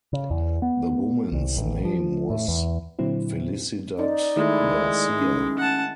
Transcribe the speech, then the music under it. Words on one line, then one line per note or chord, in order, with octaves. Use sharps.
The woman's name was Felicidad Garcia.
C#3
E2
B3
C2
A1
F3
A2
E2
A#2 D3 F#3 C4 E4
D#4 D5
D#3 G#3 A3 E4
C#4
F#5 A5